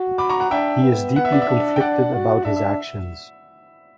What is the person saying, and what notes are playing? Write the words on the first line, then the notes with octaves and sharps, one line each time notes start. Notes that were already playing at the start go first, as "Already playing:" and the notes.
He is deeply conflicted about his actions.
Already playing: F#4
B5 D6
A#5 C#6
F#5 A#5
D4 E5 G5
B3
B3 F#5
E5
D5
E5
D4
G5
D4 D5 F#5
F#4
D4 E5
E5